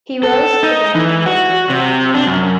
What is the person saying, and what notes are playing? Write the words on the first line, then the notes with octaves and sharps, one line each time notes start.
He rose to the rank of major during the war.
A4
D#4
E3
F#4
C3
D4
F#2